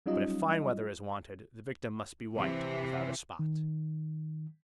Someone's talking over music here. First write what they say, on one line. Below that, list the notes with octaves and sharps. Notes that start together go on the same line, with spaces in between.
But if fine weather is wanted, the victim must be white, without a spot.
F#3 G3 C#4 D#4 F4 D#5
C3 E3
D#3